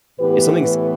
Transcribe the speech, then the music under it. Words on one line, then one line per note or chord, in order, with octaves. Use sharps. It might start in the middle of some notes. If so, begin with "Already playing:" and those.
If something's
A2 E3 B3 G4 B4